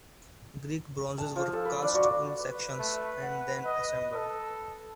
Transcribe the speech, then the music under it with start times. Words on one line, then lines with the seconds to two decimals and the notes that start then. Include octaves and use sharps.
Greek bronzes were cast in sections and then assembled.
1.18 A5
1.36 F3
1.53 A4
1.65 B4
1.82 D4
1.94 F#4
2.40 B4
2.79 A3
3.22 F#5
3.65 D#5
4.15 A4